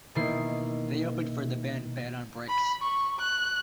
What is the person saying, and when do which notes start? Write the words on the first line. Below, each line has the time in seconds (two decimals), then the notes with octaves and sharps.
They opened for the band Bed on Bricks.
0.15 B2 D#3 A#3 E4 C7
2.48 B5
2.82 C#6
3.19 F#6